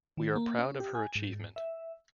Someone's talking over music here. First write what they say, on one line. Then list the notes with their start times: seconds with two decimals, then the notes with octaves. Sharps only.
We are proud of her achievement.
0.17 D#3
0.36 A#3
0.59 C#4
0.80 G4
0.95 G#5
1.15 G#2
1.56 E5